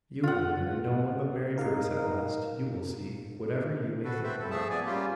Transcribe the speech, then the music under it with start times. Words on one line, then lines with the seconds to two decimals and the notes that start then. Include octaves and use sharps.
"You will marry no one but Mary Bruce at last, you will see, whatever you may think now."
0.23 F4 F#5
1.58 D#4 A#4 F5
4.05 F#4 A4 B4
4.24 C4 B4 C5 E5
4.39 A4
4.51 F3 A3 G#4 E5 A5
4.70 B3 G#4 D5 G#5
4.86 G3 A#3 C#4 F4 G4